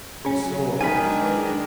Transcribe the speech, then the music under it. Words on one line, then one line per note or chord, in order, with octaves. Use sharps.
And so on.
C#3 F#3 C#4
D#3 G#3 D4 G#5 B5
E3